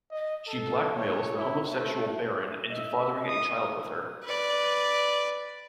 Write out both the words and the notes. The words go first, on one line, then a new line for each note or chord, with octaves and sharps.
She blackmails the homosexual Baron into fathering a child with her.
D#5
A4
C#5
E4
A3
D#5 E5
D#6
B4 D5